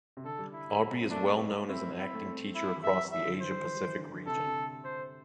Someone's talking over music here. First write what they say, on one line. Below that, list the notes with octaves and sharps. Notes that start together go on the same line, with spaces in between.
Aubrey is well known as an acting teacher across the Asia Pacific region.
C3
D3 A4
G3
E4
C4
A3 D4
C4 E4
E4
A3
C4
E4
E3
G3 E5
E5
D3
E3 C5
G3
E3
G3
E3
D3
D3
C3 A4
D3
C3
C5